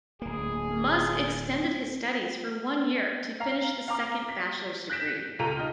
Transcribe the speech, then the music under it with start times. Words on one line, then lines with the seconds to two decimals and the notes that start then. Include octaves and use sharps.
Musk extended his studies for one year to finish the second bachelor's degree.
0.22 D1 A#3 G#4
3.40 F5 A#5 C7
3.88 F5 A#5 D6
4.29 B6
4.90 F#6 G6 A#6 B6 D7 E7
5.39 C#2 F4 A4 A#5 D#7
5.57 D#4 F6